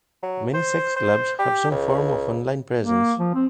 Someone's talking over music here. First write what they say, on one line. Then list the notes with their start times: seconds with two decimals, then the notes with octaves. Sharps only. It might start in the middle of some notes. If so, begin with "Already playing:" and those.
Many sex clubs have some form of online presence.
0.23 F#3
0.54 C5
0.96 C5
1.39 G4
1.71 C#2
2.83 A#3
3.19 F3
3.34 C4